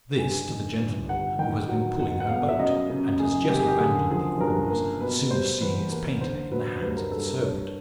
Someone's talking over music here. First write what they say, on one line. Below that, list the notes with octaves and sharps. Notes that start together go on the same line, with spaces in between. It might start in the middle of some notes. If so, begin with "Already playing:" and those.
This to the gentleman who has been pulling her boat, and has just abandoned the oars soon as seeing its painter in the hands of the servant.
G2 G#5
D#3
G1
G3 F#5
D#3 G5
F#3 F#5
G#2 F#5
F#5
B3 F5
E5
F#2 D#5
C#3
F#1 G#4
F#1 G4
G#4
G4
D3 G#4
F3 G#4
G2 A#4
A#3
B2 B4
G3 C5
E2 B4
A#3
D3 C5
F#3 B4
C5
G2 B4
A#4
G2 A4
A#4
G2 C#5